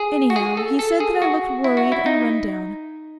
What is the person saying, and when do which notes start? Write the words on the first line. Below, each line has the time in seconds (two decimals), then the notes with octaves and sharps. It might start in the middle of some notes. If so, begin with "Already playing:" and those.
Anyhow, he said that I looked worried and run-down.
Already playing: G#4
0.30 F#4
0.36 G#4
0.57 A4
0.79 A4
1.00 G#4
1.22 F#4
1.64 E4
1.77 F#4
1.92 E4
2.06 D#4